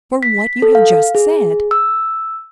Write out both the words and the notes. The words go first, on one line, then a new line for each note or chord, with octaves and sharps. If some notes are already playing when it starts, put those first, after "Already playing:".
"For what you have just said."
B6
A4
F5
G#4
E6